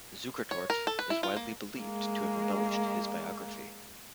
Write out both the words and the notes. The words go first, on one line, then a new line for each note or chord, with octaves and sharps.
Zukertort is widely believed to have embellished his biography.
C#5
A#4
A4
B4
E4
F4
A#3
G#3 A#3